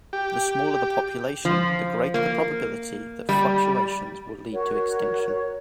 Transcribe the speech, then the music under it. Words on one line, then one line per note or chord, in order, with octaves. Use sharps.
The smaller the population the greater the probability that fluctuations will lead to extinction.
G4
F3
A#3
G3
F#4 A#4 C#5